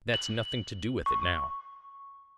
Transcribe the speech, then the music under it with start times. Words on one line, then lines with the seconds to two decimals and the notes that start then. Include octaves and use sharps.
That's nothing to do with it now!
0.14 F#7
1.06 C#6